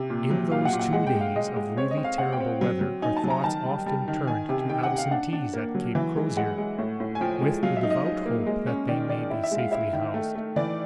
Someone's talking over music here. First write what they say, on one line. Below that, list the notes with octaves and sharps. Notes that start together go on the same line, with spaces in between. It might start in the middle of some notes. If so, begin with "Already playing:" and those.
In those two days of really terrible weather our thoughts often turned to absentees at Cape Crozier with the devout hope that they may be safely housed.
Already playing: C3
A#2
F#3
A#2 F5
F#5
A#2
F#5
G#3 F#5
G5
G#3
F5
G#3 D#5
G#3
C4 C#5
D#5
C4
F5
C4 F#5
G5
C4
F#3
F#3
D#4 G#5
A5
F#3
A#5
D#3 A5
G3
G3
D#3
D#3 G#5
C3
D#3 G5
F#5
C3
F5
D4 F#5
D4
A#3
F#3
E3
G#3
G#3 F#5
G#3
A2
A2
G#5
F3 G5
G#3
F#3 F5
E5
D#4
D#5
D#4
A#3
G#3
C#4
D#3 D5
D#3 D5
E4
E5
G#3
F5
E4 E5
D#3
A3
A3
E3 D5